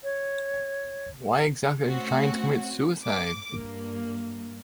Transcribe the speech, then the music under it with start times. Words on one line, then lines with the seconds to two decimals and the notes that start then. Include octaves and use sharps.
Why exactly are you trying to commit suicide?
0.04 C#5
1.87 A3 C4 C#4 F#4 F#5
3.03 D6
3.50 G2 A#3